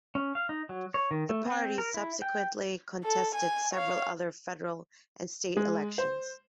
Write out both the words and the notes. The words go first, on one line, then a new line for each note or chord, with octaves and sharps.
The party subsequently contested several other federal and state elections.
C#4
F5
D#4
F#3
C#5
D#3
A3
C4
A#4
E4
G5
A4
G#5
C#5 F5
G#3
C5